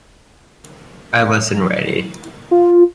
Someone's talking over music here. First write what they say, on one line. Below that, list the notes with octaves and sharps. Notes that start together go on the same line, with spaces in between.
I wasn't ready.
F4